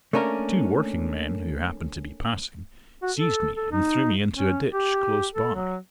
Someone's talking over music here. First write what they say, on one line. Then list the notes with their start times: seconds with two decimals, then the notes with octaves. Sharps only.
Two working men, who happened to be passing, seized me and threw me into a ditch close by.
0.13 A3 A#3 C#4 D4 A#4
3.02 F#4
3.17 A4
3.56 A4
3.71 D#4
4.34 C#4
4.72 G4
5.34 A4
5.55 F#3